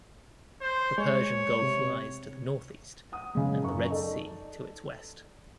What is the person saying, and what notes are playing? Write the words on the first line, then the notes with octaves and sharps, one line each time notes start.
The Persian Gulf lies to the northeast and the Red Sea to its west.
C5
G#3 C#5
C3
F#5 D#6
C#3 G#3
F#2 C#6
D#4 A4 D5